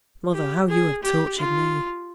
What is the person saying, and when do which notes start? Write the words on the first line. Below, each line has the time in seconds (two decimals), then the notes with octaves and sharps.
Mother, how you have tortured me!
0.33 G4
0.69 G#4
1.03 G4
1.39 F4